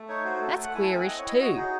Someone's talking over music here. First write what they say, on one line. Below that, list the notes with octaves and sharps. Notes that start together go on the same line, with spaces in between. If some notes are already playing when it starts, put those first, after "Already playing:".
That's queerish, too.
Already playing: A3
D#4 C#5
F#4 C5
A3 A4
A3 F#5
E4 G#5
A5
C4 G#5
F#5
C4 D#5
C#5
E4 D#5
F#4 D#5
C#5
D#4 G#4